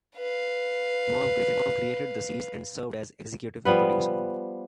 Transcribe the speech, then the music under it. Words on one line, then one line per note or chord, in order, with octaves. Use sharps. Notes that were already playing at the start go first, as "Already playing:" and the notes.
Merv Griffin created the series and served as executive producer.
B4 F5
F3 G3 B3 B4